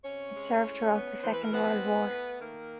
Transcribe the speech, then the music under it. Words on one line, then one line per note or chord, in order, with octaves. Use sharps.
It served throughout the Second World War.
C3 C#4 C#5
G#3
A2
B3
E3 C5
B4
A#4
B3 C4 B4
A2
A3
D#3 A#3 A#4